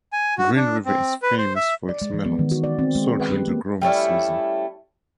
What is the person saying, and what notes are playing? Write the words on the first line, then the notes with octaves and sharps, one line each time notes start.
Green River is famous for its melons, sold during the growing season.
G#5
F#4
D4
C4
B4
C5
E5
D5
G#3
E3
B3
D#3
F#4
D5
C4
G#3
B4
G4
A#3
G3 A3 C#4 E4